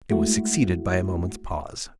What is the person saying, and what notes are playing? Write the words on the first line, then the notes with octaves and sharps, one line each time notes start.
It was succeeded by a moment's pause.
G#3 A3 E4 F#4